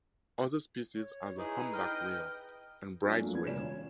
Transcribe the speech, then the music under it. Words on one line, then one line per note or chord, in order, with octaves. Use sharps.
Other species are the humpback whale and Bryde's whale.
C#5
D#4 E4 G#4 B4
D#5 G5 F6
F#3 C#4 D4
F3 F#3 A3 A#3 D4
B3 G#6
E1 C#3 C#4 D5 E7
C#5